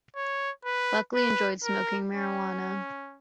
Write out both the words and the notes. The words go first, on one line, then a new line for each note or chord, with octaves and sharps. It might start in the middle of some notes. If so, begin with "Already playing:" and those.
Buckley enjoyed smoking marijuana.
C#5
B4
B4
A#4
C#4